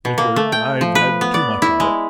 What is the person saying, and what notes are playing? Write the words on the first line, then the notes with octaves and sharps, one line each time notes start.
"Richard, I've had too much of it!"
B2
A#3
A3
G5
F3
B4
B3
D5
E4
G#3